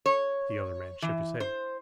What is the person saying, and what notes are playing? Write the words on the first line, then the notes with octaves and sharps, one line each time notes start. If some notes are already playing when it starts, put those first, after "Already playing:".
The other man shook his head.
C#5
E3
C5